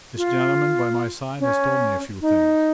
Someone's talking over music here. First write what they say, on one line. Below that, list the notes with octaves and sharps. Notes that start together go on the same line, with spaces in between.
This gentleman by my side has told me a few things.
F4
C#4
D#4